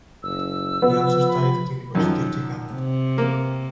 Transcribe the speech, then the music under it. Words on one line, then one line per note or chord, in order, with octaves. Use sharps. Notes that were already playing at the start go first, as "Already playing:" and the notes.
He also studied at University of Chicago.
F#1 E6
F3 B3
B5
F#2 D#3 F3
C3
A#3